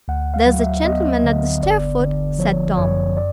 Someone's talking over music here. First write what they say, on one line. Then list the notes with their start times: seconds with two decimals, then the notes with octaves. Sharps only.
"There's a gentleman at the stairfoot," said Tom.
0.08 D2 F#5
0.34 F5
0.46 F#3
0.60 E5
0.85 B3 D#5
1.24 D3
1.62 G1 D5
2.00 D3
2.39 F3 C#5
2.77 F#2 C#5
3.17 D5